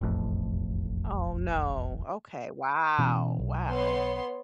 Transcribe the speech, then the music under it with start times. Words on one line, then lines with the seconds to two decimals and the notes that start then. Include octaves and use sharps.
Oh, no, okay, wow! Wow.
0.01 E1 A1 F2 A2
2.99 B2 E3 C#4
3.39 B1
3.70 B3 C#5 C6